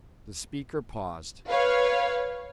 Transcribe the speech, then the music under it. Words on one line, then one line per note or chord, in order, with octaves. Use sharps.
The speaker paused.
B4 C#5 F5